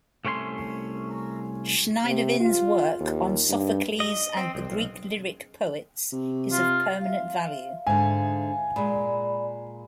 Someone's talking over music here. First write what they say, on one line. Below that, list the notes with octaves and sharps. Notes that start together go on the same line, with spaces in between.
Schneidewin's work on Sophocles and the Greek lyric poets is of permanent value.
C2 A3 C#4 G5 C6
C3
F4
D#2
G2
D#5
C4
C2
B1
C3
F4
E5 F5
G#2 D3 G#5
A#2 G#3 D5 B5